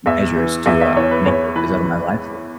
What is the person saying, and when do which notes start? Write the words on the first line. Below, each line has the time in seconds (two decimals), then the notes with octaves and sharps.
measures to, uh, negate those out of my life so I
0.06 E2 E5
0.36 E3
0.66 E2 E5
0.81 E5
0.96 E3 C#5
1.11 B4
1.26 E2 C#5
1.56 E3 B4